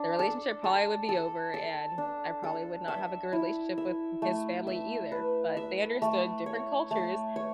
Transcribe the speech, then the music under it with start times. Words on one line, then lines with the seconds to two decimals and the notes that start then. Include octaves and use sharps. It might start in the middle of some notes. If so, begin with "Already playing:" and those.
The relationship probably would be over, and I probably would not have a good relationship with his family either, but they understood different cultures
Already playing: D4
0.19 A4
0.64 A4
1.09 A4
1.54 A4
1.98 D4
2.44 A4
2.88 E5
3.33 E4
3.78 E5
4.22 A3
4.67 E5
5.12 B4
5.57 E5
6.02 A3
6.46 C#5
6.91 A3
7.36 C#5